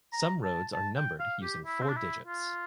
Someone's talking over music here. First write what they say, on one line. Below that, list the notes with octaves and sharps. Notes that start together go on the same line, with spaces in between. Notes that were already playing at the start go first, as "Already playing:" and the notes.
Some roads are numbered using four digits.
A#5
A5
A5
G5
F5
G4
E4
C4
D4
E4
F4